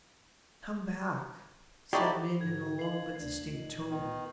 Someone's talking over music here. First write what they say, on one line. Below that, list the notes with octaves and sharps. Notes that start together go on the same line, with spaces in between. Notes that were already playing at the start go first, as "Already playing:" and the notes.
"Come back," said Min in a low but distinct tone.
D#3 D#4 E4 F#4 G4 A4 D5
G#2 D3 F#3 G#6
D#3 F5 C7 F#7
D2 D4 G#6
A#2 D#3
D#3 B3